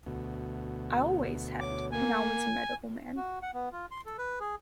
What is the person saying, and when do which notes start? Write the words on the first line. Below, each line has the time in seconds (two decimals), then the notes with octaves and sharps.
I always had, when I was a medical man.
0.06 D2 B2
1.60 C#5 D6
1.92 A#3 G#5
3.17 F#4
3.42 F#5
3.54 B3
3.72 F4
3.91 C6
4.06 A4
4.18 B4
4.40 G#4